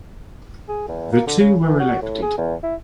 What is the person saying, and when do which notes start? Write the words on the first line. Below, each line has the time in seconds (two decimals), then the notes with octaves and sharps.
The two were elected.
0.69 G#4
0.88 E2
1.12 A#3
1.27 D3
1.40 C#3
1.63 E3
1.80 F#4
2.02 A2
2.22 G#4
2.38 E2
2.63 E4